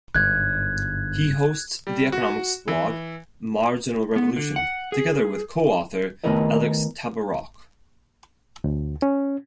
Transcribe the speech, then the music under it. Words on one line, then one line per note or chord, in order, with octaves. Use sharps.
He hosts the economics blog, "Marginal Revolution", together with co-author Alex Tabarrok.
G1 G#2 F#6 G#6
G3
F#4
E3
B3
D3
F#5
G#4
D#3 A3 B3 E4 A#4 D#5
D2
C#4